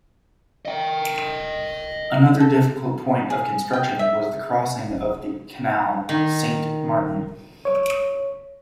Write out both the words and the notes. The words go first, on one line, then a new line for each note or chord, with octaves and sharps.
Another difficult point of construction was the crossing of the Canal Saint-Martin.
D#5 G5
A4
G#4
G5
E5
D#3
C#5